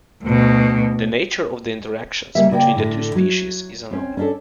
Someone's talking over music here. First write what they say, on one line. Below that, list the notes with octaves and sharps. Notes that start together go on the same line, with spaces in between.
The nature of the interactions between the two species is unknown.
D2 B2
C#3 G3 A#3 E5
C#3 A#3 D5 F#5 G5
A2 D3
F#3
C4 C#4
C#4 D4 A4